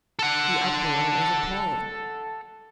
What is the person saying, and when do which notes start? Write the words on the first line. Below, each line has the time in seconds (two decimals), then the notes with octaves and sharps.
The uproar was appalling.
0.19 A4 F#5